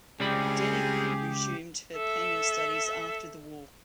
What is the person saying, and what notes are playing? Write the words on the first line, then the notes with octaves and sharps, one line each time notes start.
Denning resumed her painting studies after the war.
C#2 G3 C4 G4 G#4 D5 B5
A4 E5